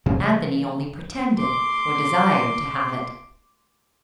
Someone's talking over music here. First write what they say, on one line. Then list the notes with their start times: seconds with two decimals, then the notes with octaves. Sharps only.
Anthony only pretended or desired to have it.
0.06 C3 E3 F#3 A#3
1.38 C6 D6